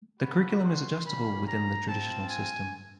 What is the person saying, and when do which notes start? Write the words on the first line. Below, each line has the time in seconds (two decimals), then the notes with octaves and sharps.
The curriculum is adjustable within the traditional system.
0.20 A#3 C#4 F#4 B5
0.62 C6
1.04 G3 A#3 C#4 B5
1.45 A#5
1.88 C4 F4 A5
2.29 G#5